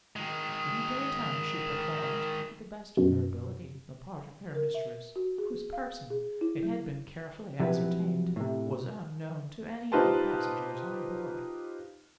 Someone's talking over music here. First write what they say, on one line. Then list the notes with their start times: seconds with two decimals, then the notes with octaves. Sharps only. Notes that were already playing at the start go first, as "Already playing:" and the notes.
In the daytime she performed, to the best of her ability, the part of her mistress--whose person, it had been carefully ascertained, was unknown to any of the passengers on board.
0.16 D#3 G#3
2.97 F#2 B2
4.55 A#4
4.74 E5
5.16 F#4
5.38 G#4
5.73 F5
6.10 G#4
6.41 E4
6.63 F#3
7.59 C3 F3 F#3 E4 A#4 B4
8.36 A2 C3
9.92 D#4 F4 G4 B4 C5 A5